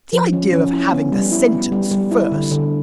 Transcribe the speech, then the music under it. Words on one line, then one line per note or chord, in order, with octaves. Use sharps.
'The idea of having the sentence first!'
F3
C#4
C#4
E4
B3
G3
E4
B3
G3
G3
E4
D3
D3